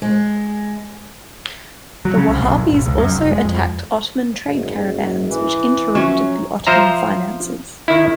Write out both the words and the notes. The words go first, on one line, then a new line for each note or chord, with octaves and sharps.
The Wahhabis also attacked Ottoman trade caravans which interrupted the Ottoman finances.
G#3
F#3
C#3
C2
B1
G#1
E1
C#2
F#2
F1
G#3
F2
F#1 G#2
E3
F3 F#3 C#4 E5
F3 C5 E5 A#5
D#3 E4